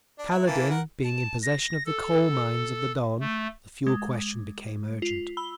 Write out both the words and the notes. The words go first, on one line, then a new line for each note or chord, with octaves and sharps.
Kaledin being in possession of the coal-mines of the Don, the fuel question became urgent.
D4
E4
E3 A#3 A5
A#4 F#5
A5
A#6
A4
A3
G#3
F4
B5 E6 G7